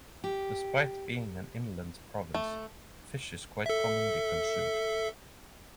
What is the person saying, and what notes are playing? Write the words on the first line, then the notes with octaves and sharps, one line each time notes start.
Despite being an inland province, fish is quite commonly consumed.
G4
A3
A4 E5